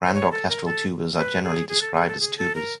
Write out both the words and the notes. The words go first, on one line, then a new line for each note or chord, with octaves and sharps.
Grand orchestral tubas are generally described as tubas.
C5
C#5
A4
A#4
A4
B4
G#4
G#4
A4
G#4
A4
G#4
A4
A#4